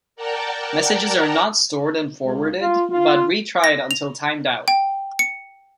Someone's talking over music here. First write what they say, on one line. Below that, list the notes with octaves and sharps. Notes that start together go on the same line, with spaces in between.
Messages are not stored and forwarded, but retried until timed out.
A#4 D5 F#5 G5 A5 A#5
C#2
F4
F4
A#6
F7
G5
C#7